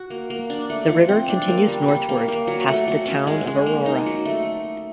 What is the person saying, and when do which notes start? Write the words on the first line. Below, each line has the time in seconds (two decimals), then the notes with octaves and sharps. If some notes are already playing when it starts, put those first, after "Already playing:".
The river continues northward past the town of Aurora.
Already playing: F#4
0.10 A#3
0.30 A#3
0.50 D4
0.70 A3
0.89 F3
1.09 C4
1.29 D4
1.48 A#3
1.68 G3
1.88 G3
2.09 A#3
2.28 A#3
2.47 F#3
2.68 A3
2.88 F#3
3.07 C#4
3.27 G#3
3.47 G#3
3.66 A#3
3.86 D#4
4.06 F#3
4.25 A3